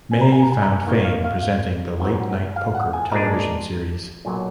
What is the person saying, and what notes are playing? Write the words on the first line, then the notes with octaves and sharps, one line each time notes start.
May found fame presenting the Late Night Poker television series.
G#5
A#5
G#5
A#5
G#5
A#5
G#5
D#2 D#3 A#3
F5
F5
F5
G#1 G#2 F#3
F5
F#5
G#5
A#2 G#3 D4 A#5
B1 A#2 F#3 G#5